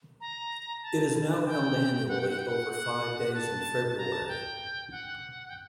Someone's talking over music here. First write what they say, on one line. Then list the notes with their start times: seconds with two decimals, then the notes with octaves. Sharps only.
It is now held annually over five days in February.
0.21 A#5
0.83 A5
1.46 G5
2.08 F#5
2.19 G5
2.28 F#5
2.38 G5
2.48 F#5
2.72 F#5
3.34 A5
3.88 A5
3.98 A#5
4.13 A5
4.28 G5
4.91 F#5
5.50 G5